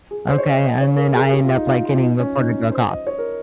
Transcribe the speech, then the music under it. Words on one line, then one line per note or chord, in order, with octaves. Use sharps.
okay," and then I end up, like, getting reported to a cop.
G#4
C5
C#5
D#5
D#5
C#5
A#4
G#4
G4
F4
D#4
F4
F4
D#4
C#4
D#4
C5
D#5
C#5
A#4